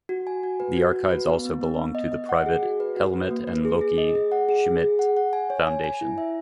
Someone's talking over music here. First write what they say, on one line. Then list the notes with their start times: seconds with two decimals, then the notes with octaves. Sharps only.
The archives also belong to the private "Helmut and Loki Schmidt Foundation".
0.09 F#4
0.27 G#5
0.43 F#4
0.60 B4
0.77 F#4
0.94 F#4
1.11 B4
1.28 B3
1.45 B3
1.61 B3
1.78 B3
1.95 D#5
2.12 D#5
2.29 F#5
2.46 G#4
2.63 F#4
2.80 B4
2.97 F#4
3.13 B4
3.31 A#3
3.47 B4
3.65 G#4
3.81 G#4
3.98 D#5
4.15 G#4
4.32 F#5
4.49 G#4
4.66 G#4
4.83 G#4
4.99 F#5
5.17 F#5
5.33 G#5
5.50 C#5
5.67 G#5
5.84 G#5
6.01 E4
6.18 E5